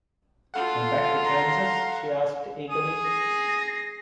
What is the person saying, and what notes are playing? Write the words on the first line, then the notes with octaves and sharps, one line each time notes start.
And back to Kansas? she asked, eagerly.
F4 A4 F5 F#5
A#5 C6
G#4 D#6
A#6 C7